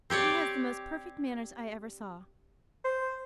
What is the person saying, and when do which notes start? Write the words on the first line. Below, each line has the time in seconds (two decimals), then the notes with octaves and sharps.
He has the most perfect manners I ever saw.
0.10 C4 G4 C#5 D5
2.85 C5